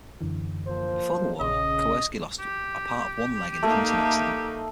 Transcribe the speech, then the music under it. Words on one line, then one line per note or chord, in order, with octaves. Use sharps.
Before the war Kowerski lost a part of one leg in a hunting accident.
F#2 D3 E3
F3 A#3 C5
A#1 C#3 D#5
G4
A3 A#3 D#4